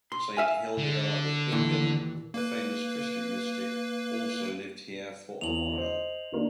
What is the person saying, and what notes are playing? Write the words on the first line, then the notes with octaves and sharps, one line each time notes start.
Saint Hildegard of Bingen, a famous Christian mystic, also lived here for a while.
C6
E5 F5 G#5
D3
D#2 A#2 E3
A#3 B4
E2 F7 F#7
C5 D#5
D#3 A#3 D4